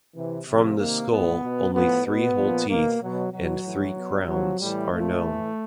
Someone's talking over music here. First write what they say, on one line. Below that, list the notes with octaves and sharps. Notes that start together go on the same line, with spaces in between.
From the skull, only three whole teeth and three crowns are known.
C3 E3
C3 F3
C3 D#3 A#3
A2 F3 B3
B2
A2 F3 B3
B2 B3
A#2 F3
B2 A#3
B2 F#3
B2 F#3
A2 E3
B2
C3 F3 F#3
A2 E3 G3
A#2 F3 A3
A2 E3